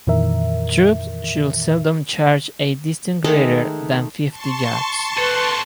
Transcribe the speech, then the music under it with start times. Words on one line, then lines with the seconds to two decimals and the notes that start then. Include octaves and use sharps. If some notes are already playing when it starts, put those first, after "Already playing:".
Troops should seldom charge a distance greater than fifty yards.
0.07 F2 A#2 D#3 E3 A#4 E5
3.24 D#3 G#3 A3 A4
4.30 A5 C6 C#6
5.17 A4 B4 C5